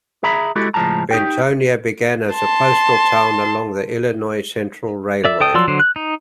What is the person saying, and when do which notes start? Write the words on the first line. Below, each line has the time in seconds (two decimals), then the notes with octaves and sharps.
Bentonia began as a postal town along the Illinois Central Railway.
0.23 G#4 E5 A#5 B5
0.56 G#3 E4 F#4 G4 A4
0.74 C#2 A2 F3 G#3 A5 A#5
1.11 D#4 G4 G5
2.35 A5 C6
5.25 D5 E5
5.40 A4 G5 D#6
5.54 F3 F#3 D5 C6 E6
5.68 D3 F#3 C5
5.80 F#6
5.96 D#4